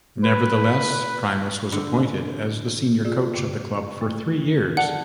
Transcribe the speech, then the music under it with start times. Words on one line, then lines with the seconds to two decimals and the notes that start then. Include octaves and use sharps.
Nevertheless, Primus was appointed as the senior coach of the club for three years.
0.24 B4
1.72 D3
3.05 F4 G#4 D5
3.34 F#2 C#3
4.01 A3
4.77 D5 F#5 A5 F#6